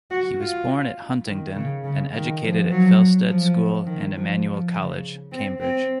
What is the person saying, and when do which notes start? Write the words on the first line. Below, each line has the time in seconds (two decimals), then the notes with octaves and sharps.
He was born at Huntingdon and educated at Felsted School and Emmanuel College, Cambridge.
0.11 F#4
0.40 F4
1.26 D#3
1.55 C#3
1.84 C#3
2.13 D#3
2.42 F3
2.71 F#3
3.29 F3
3.86 D#3
4.15 F3
4.44 F3
4.74 C#3
5.32 C4
5.60 C4